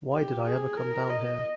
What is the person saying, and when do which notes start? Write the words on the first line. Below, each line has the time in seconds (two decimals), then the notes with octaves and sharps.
Why did I ever come down here?
0.14 G4
0.46 G#4
0.77 A#4
1.10 D#5